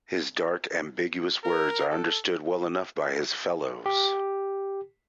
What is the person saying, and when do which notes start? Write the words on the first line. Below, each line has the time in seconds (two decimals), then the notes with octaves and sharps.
His dark ambiguous words are understood well enough by his fellows.
1.44 A#4
1.90 A4
3.86 G4